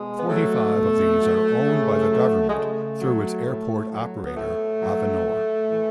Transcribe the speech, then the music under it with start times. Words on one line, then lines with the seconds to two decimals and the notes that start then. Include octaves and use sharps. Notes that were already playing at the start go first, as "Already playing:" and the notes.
Forty-five of these are owned by the government through its airport operator, Avinor.
Already playing: B2 G#3
0.19 B3
0.29 F#3 A3
0.74 B2
1.20 F#3
1.65 C#3
2.10 F#3
2.49 G#3
2.55 C#3 A3
3.00 F#3
3.45 A2
3.91 F#3
4.26 B3
4.36 A2 A3
4.81 F#3
5.26 A2
5.72 E3